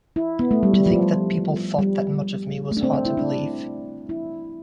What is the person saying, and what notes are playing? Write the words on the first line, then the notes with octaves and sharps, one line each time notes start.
To think that people thought that much of me was hard to believe.
E4
B3
A3
G3
G3
F3
G3
A3
D4
C4
C4
E4
D4
E4